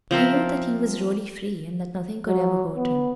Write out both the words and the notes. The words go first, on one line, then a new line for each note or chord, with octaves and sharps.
He knew that he was really free, and that nothing could ever hurt him.
F3 C4 A#4 E5
F#3
B3